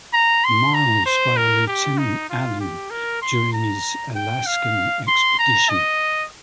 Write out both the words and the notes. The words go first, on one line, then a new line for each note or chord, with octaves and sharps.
Miles by a Lieutenant Allen during his Alaska expedition.
A#5
C6
A#5
C5
A#4
G4
D#4
F4
G4
A#4
C6
A#5
G5
F5
C6
A#5
D#5